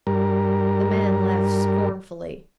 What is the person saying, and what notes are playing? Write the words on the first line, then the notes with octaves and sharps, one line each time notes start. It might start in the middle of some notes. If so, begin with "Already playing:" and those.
The man laughed scornfully.
G2 G3 A#4